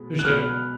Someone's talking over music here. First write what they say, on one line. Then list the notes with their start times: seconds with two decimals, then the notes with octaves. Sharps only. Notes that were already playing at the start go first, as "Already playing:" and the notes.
For sure.
Already playing: B2 G#3 B3
0.19 F#6
0.24 B2 G#3 B3 F6